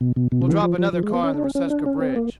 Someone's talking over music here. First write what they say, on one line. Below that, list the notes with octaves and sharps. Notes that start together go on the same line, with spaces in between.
We'll drop another car on the Reseca bridge.
B2
B2
B2
C3
D#3
E3
F3
F3
F3
G#3
B3
C#4
D4
C#4
C#4
D4
C#4
C4
A#3